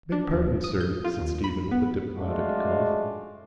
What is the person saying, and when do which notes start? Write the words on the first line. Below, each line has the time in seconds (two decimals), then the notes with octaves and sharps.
"Beg pardon, sir," said Stephen, with a diplomatic cough.
0.12 D4
0.33 D#2
0.64 D#6
0.80 G6
1.05 F4
1.19 D#2
1.44 B5
1.71 B3
2.15 G#3 A3 D4 F4 F#4